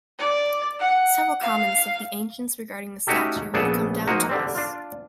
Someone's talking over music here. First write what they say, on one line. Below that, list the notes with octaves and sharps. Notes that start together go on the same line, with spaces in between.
Several comments of the ancients regarding the statue have come down to us.
D5
F#5
F5
A3 C#4 D#4 F#4 G4 A4
A#1 C#3 B3 G#4 A4 D5
F3 A#3 D#4 F#4
D3 G3 C4
D4 F4